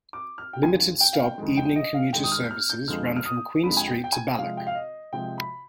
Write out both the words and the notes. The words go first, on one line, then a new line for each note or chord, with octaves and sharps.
Limited stop evening commuter services run from Queen Street to Balloch.
D6
F6
G5
F2 D3 F3 G#5
G5
F5
G5
F2 D#3 G#3
G5
D#5
F5
F2 D#3 G#3 G5
D#6
F6
G6
F6
G6
F2 D3 F3 G#3 F6
F6
D#6
F2 D3 F3 G#3 B5
G#5
G5
G5
G#5
C3 F3 G#3 F5
G5
F5
D#5
C3 F3 G#3 G5
B5